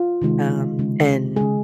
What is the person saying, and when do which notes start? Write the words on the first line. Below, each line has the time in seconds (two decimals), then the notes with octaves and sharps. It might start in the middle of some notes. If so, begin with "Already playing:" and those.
um, and
Already playing: F4
0.22 C3 D#3 G#3
0.79 C#3 G#3
1.36 C#3 G#3 G#4